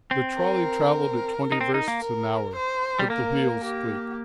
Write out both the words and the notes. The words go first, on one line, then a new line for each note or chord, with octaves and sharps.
The trolley travelled at twenty versts an hour, but the wheels squeaked.
C4
A#4
D#4
C4
D#4
A#3
A#4
C5
G3
A#3 A#4
G4